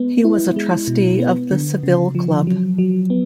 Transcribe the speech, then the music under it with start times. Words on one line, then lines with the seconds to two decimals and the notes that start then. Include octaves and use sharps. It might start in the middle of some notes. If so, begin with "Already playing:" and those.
He was a trustee of the Savile Club.
Already playing: G#3 B3
0.25 E4
0.56 G#3
0.88 B2
1.20 B3
1.51 D3
1.83 C#3
2.15 F3
2.47 F#3
2.78 F#3
3.10 B3